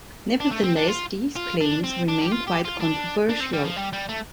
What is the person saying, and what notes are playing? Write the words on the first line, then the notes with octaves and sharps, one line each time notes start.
Nevertheless, these claims remain quite controversial.
D4
A3
C4
D4
F4
F4
D4
C4
D4
G4
F4
G4
F4
D4
D4
C4
G3
F3
G3
G3
A3